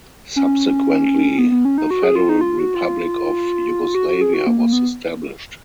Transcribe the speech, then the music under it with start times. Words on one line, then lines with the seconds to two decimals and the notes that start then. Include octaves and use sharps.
Subsequently, the Federal Republic of Yugoslavia was established.
0.36 C#4
1.38 B3
1.51 B3
1.65 C#4
1.78 D#4
1.91 F#4
2.03 G#4
2.15 F4
2.29 D#4
2.41 F4
2.59 F#4
2.75 F4
3.95 F#4
4.09 F#4
4.21 G#4
4.34 F#4
4.47 A#3
4.59 A#3
4.73 B3